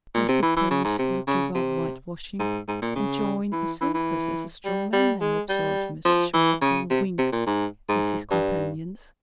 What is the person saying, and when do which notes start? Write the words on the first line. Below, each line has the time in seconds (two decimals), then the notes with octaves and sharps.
"I suppose you'll give up whitewashing and join a circus as a strong man, now," observed Mr. Sharp, with a wink at his companions.
0.14 A#2
0.28 C3
0.43 E3
0.57 E3
0.71 C#3
0.85 G#2
0.99 C3
1.27 C#3
1.55 C3
2.39 G#2
2.68 G#2
2.82 A#2
2.95 C#3
3.52 E3
3.81 E3
3.94 E3
4.65 G3
4.93 G3
5.21 G#3
5.49 G3
6.05 F3
6.34 E3
6.61 C#3
6.90 C3
7.18 C3
7.32 A#2
7.46 G#2
7.89 G#2
8.31 G2